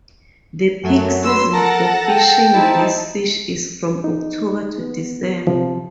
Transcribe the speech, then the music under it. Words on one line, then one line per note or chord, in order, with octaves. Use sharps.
The peak season for fishing this fish is from October to December.
F#2 F#3 A3
B4 C6 E6
A4 A#4 F#5 A5 A#6
G5
C4 D#4 E4 A5
D#4
B3
C3 F3